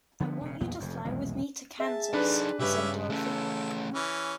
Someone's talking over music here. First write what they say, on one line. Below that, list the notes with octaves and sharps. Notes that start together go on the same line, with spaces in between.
"I want you to fly with me to Kansas," said Dorothy.
D3 F3 A#3 B3
E1 C#3
B1 E2 A#2 B3
F1 F2
D#1 B1 E2 G#3
G#4 E5 A5
D4 D#4 A4 B4
B1 G2 C#3 C#4 G4 B4 D5 E5
A3 C#4 A4
E3 C#4